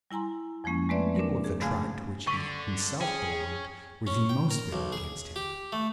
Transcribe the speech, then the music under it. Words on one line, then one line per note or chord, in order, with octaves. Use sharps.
The people of the tribe to which he himself belonged were the most bitter against him.
G3 E4 G#5 A#5 C6
F2 F3 G#3 A#3 C#4
G#3 A3 C4 B4 D5 E5
D4 A#4
G#4
G#2 C#3 A3 F5 G#5 G#6
D3 C#6 B6 D#7
C#4 G#4 G5
C#4
G5
A#4
B1
G#4
G4
A3